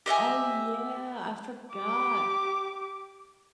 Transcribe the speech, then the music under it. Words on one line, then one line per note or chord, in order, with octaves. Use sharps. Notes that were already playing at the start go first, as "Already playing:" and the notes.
Oh yeah, I forgot.
G4 D#5 E5 G#5
G4 D6